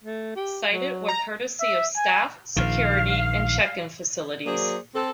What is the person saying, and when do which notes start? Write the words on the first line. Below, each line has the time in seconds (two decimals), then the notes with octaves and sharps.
Cited were courtesy of staff, security, and check-in facilities.
0.04 A3
0.36 G4
0.72 F#3
1.08 A#5
1.60 E5
1.96 G#5
2.56 A#1 D#3 F5
4.46 F#3 A#3 G#4 C5 D5
4.95 C4 A4